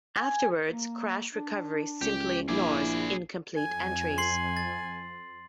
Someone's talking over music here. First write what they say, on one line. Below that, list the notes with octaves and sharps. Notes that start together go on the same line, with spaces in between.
Afterwards, crash recovery simply ignores incomplete entries.
G#5
A#3
D4
C#2 G4
A#1 E4 G#4 D5
F2 G#5
C6 C7 F#7
A6